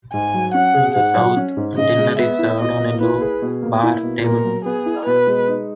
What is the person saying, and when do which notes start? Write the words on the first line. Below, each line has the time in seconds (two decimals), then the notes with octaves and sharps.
In the south, dinner is served on a low, bare table.
0.13 G#2 G#5
0.34 F#3
0.54 C#4 F#5
0.74 G#4
0.95 G#2 F#5
1.16 F#3
1.36 C#4
1.57 G#2
1.77 C#3 D#5
1.98 G#3
2.18 B3 E5
2.38 E4
2.60 B2 D#5
2.80 A#3
3.01 E4 B4
3.21 G#4
3.42 B2
3.62 A#3
3.83 E4
4.03 B2
4.24 A#2 A#4
4.45 F#3
4.65 B3 G#4
4.86 E4
5.06 B2 B4
5.27 G#3
5.48 D#4